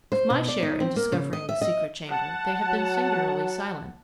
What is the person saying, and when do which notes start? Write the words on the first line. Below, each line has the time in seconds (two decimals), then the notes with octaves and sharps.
Of my share in discovering the secret chamber they have been singularly silent.
0.12 C5
0.30 B2
0.48 D5
0.63 D#4
0.80 C4
0.96 A#3
1.12 C#3
1.33 D#5
1.49 E5
1.61 D#5
2.07 F#5 A5
2.67 F#3